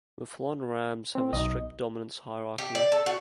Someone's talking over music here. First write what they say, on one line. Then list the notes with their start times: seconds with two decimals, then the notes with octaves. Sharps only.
Mouflon rams have a strict dominance hierarchy.
1.15 C4
1.33 B1 D#4 D#5
2.58 G4
2.75 D5
2.92 A4
3.06 F#4